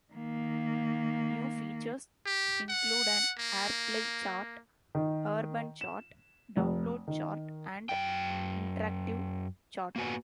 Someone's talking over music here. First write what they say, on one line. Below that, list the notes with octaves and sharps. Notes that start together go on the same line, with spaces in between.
New features include an Airplay Chart, Urban Chart, Download Chart and Interactive Chart.
D#3 A#3
G4
F#5
A#3
D#3
E7
F1
D#3
F#2 G5
A#3 B3 F#4 B4 G#5